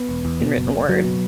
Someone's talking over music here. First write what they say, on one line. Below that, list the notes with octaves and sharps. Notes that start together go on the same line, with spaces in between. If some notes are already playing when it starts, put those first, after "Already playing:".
in written word.
Already playing: B3
E1
E2
B2
F#1
F#1
F#1 F#3
B2